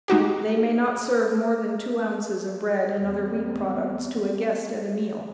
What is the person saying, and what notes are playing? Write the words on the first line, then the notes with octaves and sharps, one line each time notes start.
They may not serve more than two ounces of bread and other wheat products to a guest at a meal.
G#3 D#4 F#4 G4
E2 G3 A3 C4